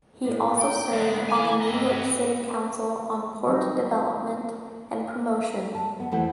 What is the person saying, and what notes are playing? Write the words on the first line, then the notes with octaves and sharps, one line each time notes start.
He also served on the New York City Council on Port Development and Promotion.
A2
G5
G#2 D3 B3
E4 G#5
C4 B4 D#5
D#3 F#3 G3 C4 D#4
A5
B3
E2 A3 E4 B4 C5 F#5